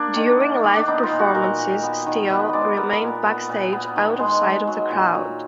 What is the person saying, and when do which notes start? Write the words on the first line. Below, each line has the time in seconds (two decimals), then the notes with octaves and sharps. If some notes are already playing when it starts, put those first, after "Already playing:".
During live performances, Steele remained backstage out of sight of the crowd.
Already playing: A#3 D4
0.16 D#3
0.40 A#3
0.64 D#3
0.76 D4
0.88 B3 D#4
1.03 F4
1.11 A#2
1.19 F#4
1.35 A#2 A#4
1.58 A#2
1.83 B3
2.06 D#3
2.30 B3 B4
2.53 G#3 D5
2.77 B3 A#4
3.02 A#2
3.25 B3
3.49 A#2
3.73 B3
3.96 D#3
4.19 G#3
4.44 G#3
4.67 F#3
4.91 A#2
5.15 F#3